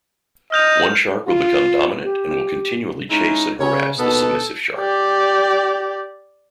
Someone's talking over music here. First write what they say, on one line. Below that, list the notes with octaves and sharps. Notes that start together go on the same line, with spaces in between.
One shark will become dominant and will continually chase and harass the submissive shark.
D#5 F6 G6 F7
F4
G4
G#3 C#4 D#4 E4
C#3 C#5
D#2 B2 D#3 B3 A4
G4 D5